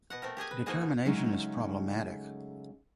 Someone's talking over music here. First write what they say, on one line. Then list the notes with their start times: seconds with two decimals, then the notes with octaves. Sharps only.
Determination is problematic.
0.10 B2 D#5 F#5
0.22 A3 C4 A#4
0.37 G4 G#4 D#5 G#5
0.51 B4
0.66 F3 A#3 D#4 F#4 G#4 D#5
0.81 B2
1.05 C#3 F#3 G#3 A3 C#4 D#4